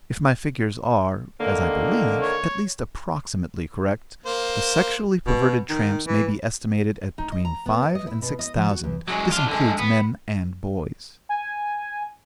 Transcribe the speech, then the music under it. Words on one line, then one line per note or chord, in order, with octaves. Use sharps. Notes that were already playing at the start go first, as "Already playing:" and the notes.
If my figures are, as I believe, at least approximately correct, the sexually perverted tramps may be estimated at between five and six thousand; this includes men and boys.
D3 D#3 A#3
C#5
A#3 C5
B2
D#3
E3
D#4
D#5
A#5
B3
D5
D#5
E4
B2
D#5
F3
F#4
E2
F#3 G#3
D4 F4
D3 G#3
B3
G#5